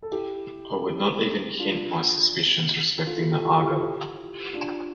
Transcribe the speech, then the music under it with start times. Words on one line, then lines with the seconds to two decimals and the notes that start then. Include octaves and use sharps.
I would not even hint my suspicions respecting the Aga.
0.02 A4
0.12 E4 G4
0.86 E4 G4
1.59 D4 F4
3.06 F4 A4
3.19 E4 G4
3.31 F4 A4
3.43 E4 G4
3.52 F4 A4
3.61 E4 G4
3.71 F4 A4
3.80 E4 G4
4.53 D4 F4